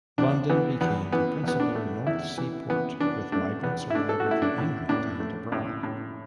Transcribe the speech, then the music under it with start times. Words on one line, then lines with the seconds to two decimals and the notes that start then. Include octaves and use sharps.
London became the principal North Sea port, with migrants arriving from England and abroad.
0.18 E2 D4
0.50 E3 B3
0.81 E2 B3
1.12 E3 B3
1.44 E2 B3
1.60 D4
1.75 A3
2.07 E2 E4
2.38 E3
2.70 E3 B3
3.00 E3 D4
3.32 A3 D4
3.63 E2 B3
3.90 E4
3.95 A3 D4
4.09 A4
4.20 F#4
4.26 A3 E4
4.42 D4
4.58 A2
4.89 A2 D4
5.20 A3
5.52 A2
5.83 A2